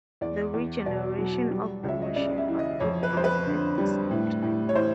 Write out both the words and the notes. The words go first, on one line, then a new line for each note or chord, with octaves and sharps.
The regeneration of the worshipper took place at the same time.
E2 D5
E2
B2 D5
F#3
G3
C#2
E5
D#5
C#3 D5
E5
E3
D#5
F2 C#5
B4
F2 C5
B4
D3
G3
A2
A2
C#5
E3 C5